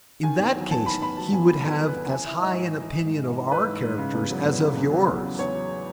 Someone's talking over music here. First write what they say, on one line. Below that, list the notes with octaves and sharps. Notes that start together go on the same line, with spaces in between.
In that case he would have as high an opinion of our characters as of yours.
D#3 G#5
E2
F#3
E2 A5
D#3 B5
E2 B5
F#3 A5
E2 G#5
D#3
E2 A4
F#3
B4
E2
E3 G#5
E3 E5
G#2 D#5
G#2
E3
E3
G#2
G#2
E3
E3 B4
G#2
G#2
C#3
E2
F#3
E2
C#3
E2
F#3
E2
C#3
E2 C#5
F#3